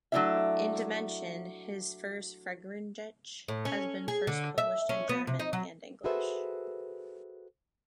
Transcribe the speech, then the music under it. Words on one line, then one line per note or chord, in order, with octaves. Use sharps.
In "Dimension", his long "Feriengedicht" has been first published in German, and English.
F#3 A3 C4 D4 E4 E5
A2
C#4
G#4
D3
E5
C#4
B3
C3
D#4
F#3
F#4 G#4 A4 B4 C5 E5